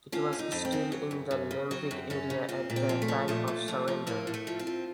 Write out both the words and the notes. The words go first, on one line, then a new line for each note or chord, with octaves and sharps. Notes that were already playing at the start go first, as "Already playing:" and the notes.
It was still in the Lemvig area at the time of surrender.
F3 C#4
F2
D#4
F2
C4
C#3
F#3
F#2
F#2
C#3
F#3 C4
F#2
F#2 C#4
C#3
A#2 C4
A#2
C4
F3
A3
F3
A#2 A3
A#2
F3
F3
A2 A#3
A2
A3
F3
C4
F3